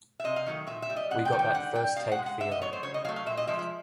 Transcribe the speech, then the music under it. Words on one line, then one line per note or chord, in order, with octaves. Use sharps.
We got that first take feeling.
E5
C3 D#5
F5
D#3 F#3 A3
A#2 E5
E5
G3
D#5
C3 F#5
G5
D#3 G3
G5
D3 F#5
G3 G5
B2 F5
F#5
G#3
F#5
D3 E5
D#5
F#3 A3 C#5
C5
C#3 C#5
D#5
F#3 A3 F5
F5
A#2 E5
D#5
F3 G#3 E5
E5